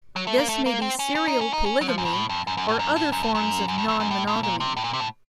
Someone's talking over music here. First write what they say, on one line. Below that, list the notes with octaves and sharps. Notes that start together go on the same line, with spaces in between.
This may be serial polygamy or other forms of nonmonogamy.
F#3
A3
A#3
A3
A#3
C4
C#4
C#4
D#4
C#4
D#4
C#4
F#3
F3
F#2
F2
A2
F2
F#2
F#2
A2
F#2
A2
F#2
A2
F#2
F#2
F2
F2
F#2
A2
A2
A#2
C3
A2
A#2
C3
A2